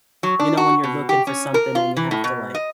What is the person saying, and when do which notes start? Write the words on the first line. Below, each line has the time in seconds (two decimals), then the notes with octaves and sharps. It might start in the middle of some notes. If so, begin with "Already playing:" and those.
you know, when you're looking for something and you have to like
0.23 F#3
0.39 D4
0.57 F#4
0.84 B2
1.09 G4
1.27 C#4
1.54 A#4
1.75 F4
1.97 E3
2.11 A2
2.24 B2
2.55 D#5